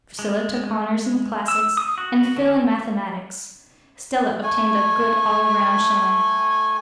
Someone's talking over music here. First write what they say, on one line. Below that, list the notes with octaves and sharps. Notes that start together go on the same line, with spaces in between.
Priscilla took Honors in Classics, and Phil in Mathematics. Stella obtained a good all-round showing.
G#3
E6
D#6
F#4
D3
A3 G#5